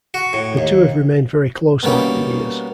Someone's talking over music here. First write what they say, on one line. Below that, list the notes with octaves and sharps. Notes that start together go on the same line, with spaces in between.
The two have remained very close over the years.
F#4
A2
D#2
B2 G3 A#3 C#4 D#4